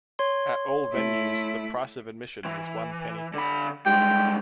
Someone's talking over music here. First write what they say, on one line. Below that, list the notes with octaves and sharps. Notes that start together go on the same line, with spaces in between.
At all venues the price of admission was one penny.
C#5 C6
A3 E4
E3
D3 B5
G2 G#3 G5